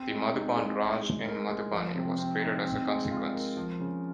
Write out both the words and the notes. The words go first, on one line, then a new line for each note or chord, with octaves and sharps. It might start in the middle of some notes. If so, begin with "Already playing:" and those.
The Madhuban Raj in Madhubani was created as a consequence.
Already playing: C4
G#3
D#4
G#3
D#4
G#3
A#4
G#3
F3
C3
C4
D#4
C4
G#3
F4
A#4
F3
C#3